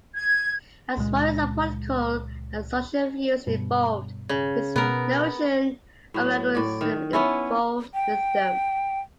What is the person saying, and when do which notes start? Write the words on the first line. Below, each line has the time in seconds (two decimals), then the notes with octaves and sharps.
As Warren's political and social views evolved, his notion of Agrarianism evolved with them.
0.15 G#6
0.97 C#2 A#2 G#3
3.47 G2 B2
4.29 C#3
4.76 B2 B3 A#4
6.14 A2 F#3
6.55 A2 D5
6.81 D#3
7.13 B3 C#4 E4
7.94 G5